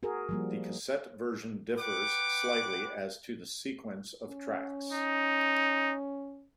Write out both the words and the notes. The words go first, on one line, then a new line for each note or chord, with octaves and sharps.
The cassette version differs slightly as to the sequence of tracks.
F#4 G#4 A#4
F3 G3 A#3
B4 F#5 G5 D6
C#4
D#4